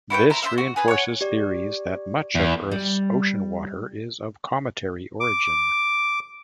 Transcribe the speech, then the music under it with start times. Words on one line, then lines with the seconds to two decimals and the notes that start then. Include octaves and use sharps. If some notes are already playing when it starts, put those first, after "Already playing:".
This reinforces theories that much of Earth's ocean water is of cometary origin.
0.10 E4 F#4 B4 G5
0.30 E4 C5 A#5
0.42 C5 E5 F5
0.58 F#4
0.76 G#4 B4 G#5
0.88 C#5 F#5
1.21 G4 D5
2.35 E2
2.71 G3
5.20 D6